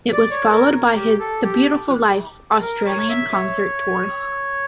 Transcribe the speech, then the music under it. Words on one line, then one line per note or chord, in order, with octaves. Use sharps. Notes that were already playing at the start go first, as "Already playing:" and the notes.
It was followed by his "The Beautiful Life" Australian concert tour.
D5
C#5
A#4
G4
A4
G4
A#4
C#5
E5
C#5